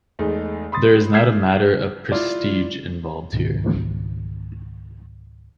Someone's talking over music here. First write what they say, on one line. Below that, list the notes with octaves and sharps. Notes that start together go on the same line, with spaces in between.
There is not a matter of prestige involved here.
E2 G#3 A3 D#4
B5 C6 D#6 A6
E6 F6 G6 G#6 B6 C7
E4 F4 D5
C#2 G#2 B2 D#3